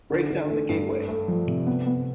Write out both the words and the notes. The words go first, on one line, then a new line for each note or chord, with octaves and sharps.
Break down the gateway!
D3
D3
A3
G2
A3
A3
F3
C3
B3
B3